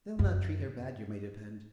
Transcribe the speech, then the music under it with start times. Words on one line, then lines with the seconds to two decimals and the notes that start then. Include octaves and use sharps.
They'll not treat her bad, yer may depend.
0.19 F#2